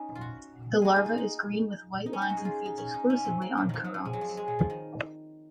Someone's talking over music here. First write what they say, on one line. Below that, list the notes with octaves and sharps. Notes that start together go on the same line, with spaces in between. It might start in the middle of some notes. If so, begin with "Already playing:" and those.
The larva is green with white lines and feeds exclusively on currants.
Already playing: C#4 D#4
F4
F#4
F#4 G#4
D#4
F4
D#4
D#4
C#4
D#4
F#4
G#4
F4
D#4
C#4
D#4
C#4
C4
A#3
F#3
D#3 F3
F#3
F3
G#3
F#3
F3
F#3
G#3
F#3
F3
D#3